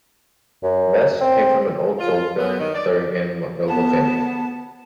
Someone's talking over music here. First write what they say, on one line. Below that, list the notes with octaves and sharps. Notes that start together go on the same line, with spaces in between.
Metzsch came from an old Vogtland-Thuringian noble family.
F#2
C4
F4
F4
B3
D#3
D5
B3 A5